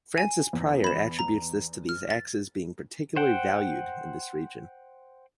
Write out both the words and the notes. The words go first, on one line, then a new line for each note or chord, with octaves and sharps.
Francis Pryor attributes this to these axes being particularly valued in this region.
G#5
E2
B5 E7
A#5
F6
A6
C5 F#5 G5